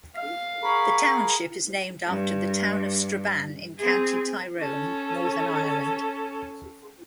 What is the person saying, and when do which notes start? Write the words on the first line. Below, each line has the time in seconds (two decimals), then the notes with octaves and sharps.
The township is named after the town of Strabane in County Tyrone, Northern Ireland.
0.16 F5
0.62 G#4 A#4 F#5 B5 C#6
2.07 G2
3.78 C4 G#4
4.61 C#4 A4